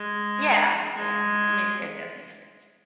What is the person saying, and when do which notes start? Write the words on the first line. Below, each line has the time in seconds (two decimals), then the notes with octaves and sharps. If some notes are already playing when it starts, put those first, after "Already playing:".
Yeah, yeah, that mak that does make sense.
Already playing: G#3
0.97 G#3